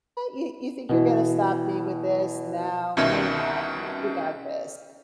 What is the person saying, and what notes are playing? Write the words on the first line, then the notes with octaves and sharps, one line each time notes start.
you you think you're gonna stop me with this? No no, you're not. W we got this."
B2 E3
C2 B2 D#3 C#4 E5